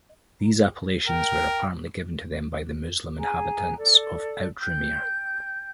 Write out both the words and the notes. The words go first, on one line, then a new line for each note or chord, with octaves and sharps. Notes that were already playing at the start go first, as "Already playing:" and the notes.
These appellations were apparently given to them by the Muslim inhabitants of Outremer.
A#4 G5
G#4 G#5 A#5
A4 D5
G5 G6